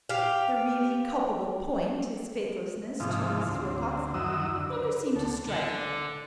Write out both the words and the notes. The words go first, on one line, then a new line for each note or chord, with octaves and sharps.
The really culpable point--his faithlessness to Mrs. Wilcox--never seemed to strike him.
G4 F5
G#2 C3 E3 F3 D#4 F4
D2 C4
F#2 D#3 F#3 E4 D#6 E6
D3
D2 A4
D3